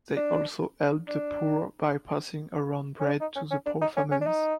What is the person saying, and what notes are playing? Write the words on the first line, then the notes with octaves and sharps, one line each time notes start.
They also helped the poor by passing around bread to the poor families.
D4
D4
C#4
D4
D#4
C#4
C#4
D4
D#4
C#4
C#4
D4
D#4